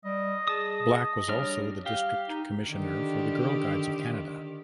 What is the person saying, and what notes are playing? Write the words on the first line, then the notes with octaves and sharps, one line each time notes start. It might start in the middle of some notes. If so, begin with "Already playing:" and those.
Black was also the district commissioner for the Girl Guides of Canada.
G3 D#5
G#4 A5 D#6
G3 D4 C#5 F6
G4 F5
D#4
D3 D#3 G4